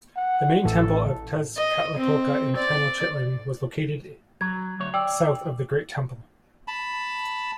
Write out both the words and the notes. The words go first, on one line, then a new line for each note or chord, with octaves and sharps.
The Main temple of Tezcatlipoca in Tenochtitlan was located south of the Great Temple.
F#5
A1 A2 E3 A4
D#5
C4
D5
F#3 G#6
D2 C#5
D5 G5 E6
A5 B5